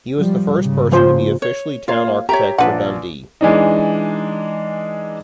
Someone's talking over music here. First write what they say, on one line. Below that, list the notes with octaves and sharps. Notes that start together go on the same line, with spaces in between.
He was the first person to be officially Town Architect for Dundee.
G#2 F3 G3
G#2 C#3 A#3
F3 C5
C#5
A#3 F4 C#5 F5
G4 C#5 E5 A#5
A#1 D4 B4 F#5 A5
E3 G#3 D4 D#4